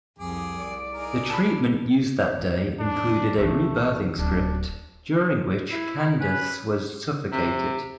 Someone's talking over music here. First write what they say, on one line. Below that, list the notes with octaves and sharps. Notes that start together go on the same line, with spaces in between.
The treatment used that day included a rebirthing script, during which Candace was suffocated.
C2 F2 G3 G#4 D6
D5
D#4 G#4 A#4
A5 B5
E2
D4
C2 E3 A3
D1 D4
E4
D#4 E4
C#4 B4
C3